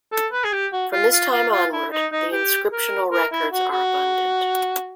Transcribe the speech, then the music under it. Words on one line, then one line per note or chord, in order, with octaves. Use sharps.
From this time onward, the inscriptional records are abundant.
A4
B4
G#4
G4
F#4
F4
F4
F4
F4
E4
D#4
D#4
G4
A#4
A#4
E4
F#4
F#4